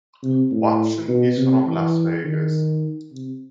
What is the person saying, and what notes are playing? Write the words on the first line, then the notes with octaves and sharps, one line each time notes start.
Watson is from Las Vegas.
C3
A2
B2
C3
E3
D#3
C3